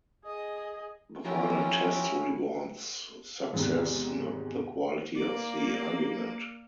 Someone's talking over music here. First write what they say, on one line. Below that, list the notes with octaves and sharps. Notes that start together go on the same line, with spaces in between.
The final test rewards success, not the quality of the argument.
G#4 D#5
F3 C#4 E4 G4 A#4
E2 G#2 C3 D#3
A#3 D5